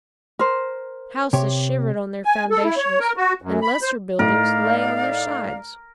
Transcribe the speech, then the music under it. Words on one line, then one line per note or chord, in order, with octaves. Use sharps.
Houses shivered on their foundations, and lesser buildings lay on their sides.
A#4 C5
C3 G4 C#5
G#5
A4
E4
C#5
A#4
F#4
F#2
B5
C5
A2 D#4 A#4 D5 F5